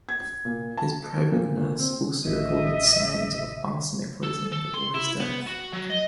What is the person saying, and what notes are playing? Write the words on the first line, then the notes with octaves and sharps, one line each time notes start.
His private nurse also reported signs of arsenic poisoning before his death.
G#6
A#2
A5
A#2
A#2
C4
A1 D#5 E5
A4
A4
C6
E4
B3
F#4
F#3
D#5